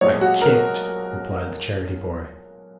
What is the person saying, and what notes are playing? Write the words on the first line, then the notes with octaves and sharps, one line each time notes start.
'I kicked,' replied the charity-boy.
B1 A#2 G#3 C#5
F#4
A#4